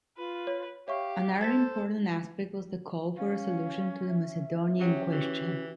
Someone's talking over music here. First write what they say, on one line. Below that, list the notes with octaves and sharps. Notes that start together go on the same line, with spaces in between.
Another important aspect was the call for a solution to the Macedonian Question.
F4 B4
C#5
G4 C#5 E5 F5 C#6
A4 C5 G#6 A6 B6
C#4 F5
E5
F#3 C#4 G4
E3 F#4